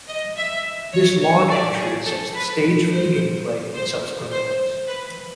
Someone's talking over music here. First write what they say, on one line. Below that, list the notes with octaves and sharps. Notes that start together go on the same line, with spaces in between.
This log entry sets the stage for the game play and subsequent events.
D#5
E5
C#5
C#5
D5
G#4
A4
B4
C5
C5
C5
B4